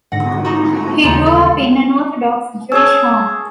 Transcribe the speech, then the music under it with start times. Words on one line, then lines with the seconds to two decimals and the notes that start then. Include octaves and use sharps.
He grew up in an Orthodox Jewish home.
0.12 G#2 D3 F#5 A#6
0.45 D#4 F#4
1.04 D#2 C#3 E3 D#4 F4
1.26 A4
2.72 C#4 G#4 A5 E6 G#6